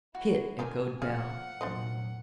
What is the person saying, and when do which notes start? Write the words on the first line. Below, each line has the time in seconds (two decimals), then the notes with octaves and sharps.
"Hit!" echoed Bell.
0.15 E4 F#4
0.59 F4 G4 A#4 G#5
1.02 A2 F3 G#4 F5 F#5
1.61 F1 A#2 F#3 D4 C5 D#5